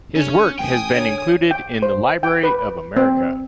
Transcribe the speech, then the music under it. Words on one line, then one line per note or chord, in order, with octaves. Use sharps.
His work has been included in the Library of America.
D3 C#4
A1 G5 G#5 D#6
D3 C#5
G5
C5
G5
B4
C4